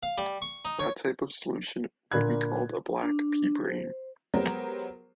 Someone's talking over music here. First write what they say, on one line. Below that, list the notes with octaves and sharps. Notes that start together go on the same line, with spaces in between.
That type of solution would be called a black "p"-brane.
F5
G3
C#6
D#4
C#5
A#2 D3 A#3 B5 F#6 G#6
D4
C5
F#3 G#3 B3 G4 A#4 C5